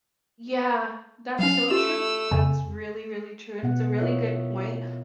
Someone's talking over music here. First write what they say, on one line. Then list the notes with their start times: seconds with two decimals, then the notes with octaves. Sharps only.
Yeah. That's so true. That's really, really true, and it's a really good point
1.39 F#3 C#4 F5
1.70 A3 F4 G4 E6 E7
2.31 F2 C#3 G#5
3.63 B2 B3 F#5
3.98 E4 F4 A#4 C#5 D#5 E5